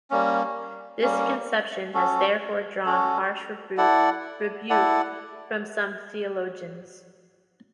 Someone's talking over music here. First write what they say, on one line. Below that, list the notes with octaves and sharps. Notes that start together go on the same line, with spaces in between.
This conception has therefore drawn harsh rebuke from some theologians.
G3 A#3 C#4
G3 A#3 C#4
C#4 F#4 A4
C#4 F#4 A4
E4 A4 D5 F#5
E4 A4 D5 F#5